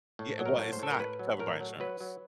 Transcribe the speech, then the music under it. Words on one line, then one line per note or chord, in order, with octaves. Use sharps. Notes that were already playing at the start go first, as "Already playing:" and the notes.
Yeah. Well, it's not covered by insurance.
A2
F#3
A#4
A2
C5
A2 A4
A#4
A2 B4
F#3
A2 A#4
F#3
F#3 B4
F#3